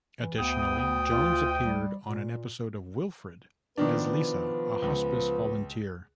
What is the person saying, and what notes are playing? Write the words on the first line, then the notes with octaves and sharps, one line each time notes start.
Additionally, Jones appeared on an episode of "Wilfred" as Lisa, a hospice volunteer.
E3
D2 B3 G5 D#6
F4
G3
A#2
B2 D#3 F3 B3 D4 B4
C#2